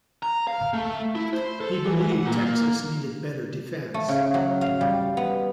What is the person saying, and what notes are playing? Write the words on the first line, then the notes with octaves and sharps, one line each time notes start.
He believed Texas needed better defense.
A#5
F5
A3
E4
C5
A4
E3
F#5
A#2
A#3
A3
C#3
F#3
F5
G3
B3